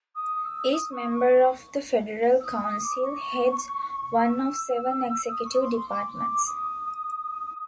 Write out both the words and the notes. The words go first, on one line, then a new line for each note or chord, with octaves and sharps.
Each member of the Federal Council heads one of seven executive departments.
D#6
E6
D#6
C#6
C#6
E6
D#6
D#6
D6
C#6
E6
D#6
C#6
C6
C6
D6
D6
D#6